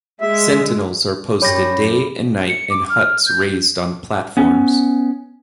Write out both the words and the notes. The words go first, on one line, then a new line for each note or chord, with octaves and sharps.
Sentinels are posted day and night in huts raised on platforms.
G#3 E5
F#2 G3 C#5 D5 D6 A#6
C#7
D6
F6
G6
B3 C#4